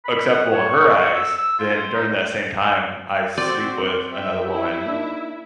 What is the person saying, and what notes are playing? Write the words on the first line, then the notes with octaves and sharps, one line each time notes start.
acceptable in her eyes, then during that same time, I sleep with another woman,
B5
F#5
C#5
C#6
F#4
E6
E6
F4
C5
D#4
C4 F#4 D5 C6 D6 G6
E5 G5
E4 G4 E5
A#3 D4 D#4